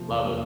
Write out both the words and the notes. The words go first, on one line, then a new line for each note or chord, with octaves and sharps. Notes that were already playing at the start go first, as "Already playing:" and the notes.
Love it.
Already playing: C3 F3 A#3
E2
A#3